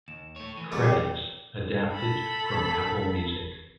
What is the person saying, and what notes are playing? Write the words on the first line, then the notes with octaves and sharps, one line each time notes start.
Credits adapted from Apple Music.
D#2 E7
A3 C#5
E3
F2 G#2 G3 A3 F#4
G#3 D#4 C#5 D5 G5
A4 B5